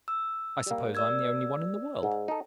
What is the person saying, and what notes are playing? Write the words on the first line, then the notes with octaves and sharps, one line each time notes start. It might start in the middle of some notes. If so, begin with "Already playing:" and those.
I suppose I am the only one in the world.
E6
G3 A#3
D5 E6 G#6
G#2
D#4 A4